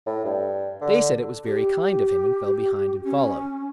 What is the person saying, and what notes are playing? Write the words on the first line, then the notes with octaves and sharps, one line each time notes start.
They said it was very kind of him, and fell behind, and followed.
A2
G2
D3
G4
C#4